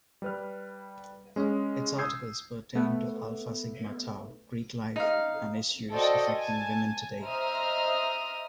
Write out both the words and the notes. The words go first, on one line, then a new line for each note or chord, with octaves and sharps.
Its articles pertain to Alpha Sigma Tau, Greek life, and issues affecting women today.
G3 B4 F6
G#3 C#4
D#6 E6 G6 G#6 C7
A3 B3
D#4 F5
F#4 A4 C5 D5 D#5 G5
G#5 A5
C5 D#5 E5 A#5 D#6 F6